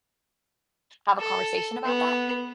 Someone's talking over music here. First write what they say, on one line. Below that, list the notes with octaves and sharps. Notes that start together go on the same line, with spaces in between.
have a conversation about that?
A4
B3